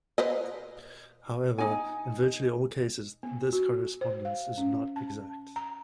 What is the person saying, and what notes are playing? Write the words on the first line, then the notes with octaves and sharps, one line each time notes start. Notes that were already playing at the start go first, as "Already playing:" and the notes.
However, in virtually all cases, this correspondence is not exact.
B4 C5 D#5
D#4 G#5
B3
F#4
C5
F5
C#4
A5
A#5